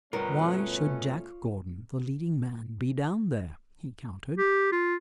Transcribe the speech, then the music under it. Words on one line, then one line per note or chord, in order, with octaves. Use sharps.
"Why should Jack Gordon, the leading man, be down there?" he countered.
G2 B2 A3 C#4 F4 A#4 B4 C#5
G4
F4